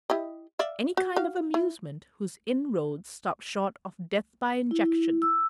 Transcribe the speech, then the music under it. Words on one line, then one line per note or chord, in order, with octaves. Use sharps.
Any kind of amusement whose inroads stop short of death by injection.
E4 G4 D#5
D5 E5 F5
F#4
F#4 F5
E4
E4
E6